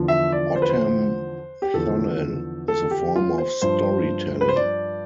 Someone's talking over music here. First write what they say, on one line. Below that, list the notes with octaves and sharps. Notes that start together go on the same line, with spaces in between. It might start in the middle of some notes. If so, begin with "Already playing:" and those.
Ottam Thullal is a form of story telling.
Already playing: E2 D3 F3
E5
D5
C5
B4
C5
G4
E2 D3 F3 A4
A4
G4
F4
C5
G2 F3 C5
B4
C5
D5